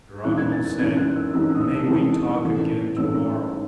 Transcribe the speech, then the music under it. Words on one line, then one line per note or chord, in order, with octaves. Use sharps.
Geronimo said, "May we talk again tomorrow?"
F#2 E3 G#3 D#4 F#6
G#6
A6
A6
F#2 E3 G#3 D#4 G#6
F#6
E6
F#2 E3 G#3 D#4 E6
D#6
E6
A5
F#2 E3 G#3 D#4 A5
G#2 E3 A3 C#4
G#2 E3 A3 C#4 E6